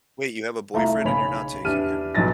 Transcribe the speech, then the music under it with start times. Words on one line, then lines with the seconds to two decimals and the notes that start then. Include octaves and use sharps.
Wait, you have a boyfriend and you're not taking him?
0.74 C2 A3 F4 A#5
1.05 B1 C#3 C#5 B5 F7
1.65 E2 D4 E4 G4 F6 D#7
2.15 B1 B2 F#3 C#4 A6 A#6